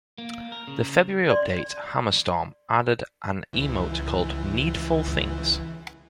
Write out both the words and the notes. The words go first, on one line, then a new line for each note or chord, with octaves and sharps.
The "' February update, "Hammer Storm", added an emote called "Knee-dful Things.
A#3
A#4
C#3
D5 C6
C#2 E3